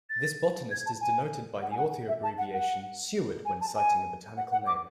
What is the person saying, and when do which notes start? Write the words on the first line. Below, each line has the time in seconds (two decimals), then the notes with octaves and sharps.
This botanist is denoted by the author abbreviation Seward when citing a botanical name.
0.10 A6
0.71 G#6
0.86 A5
1.01 G#5
1.62 F#5
1.71 G#5
1.77 F#5
2.08 E5
2.23 A5
2.38 F#5
2.54 F#5
3.45 G#5
3.61 A5
3.75 G#5
4.37 F#5
4.52 F#5
4.67 D6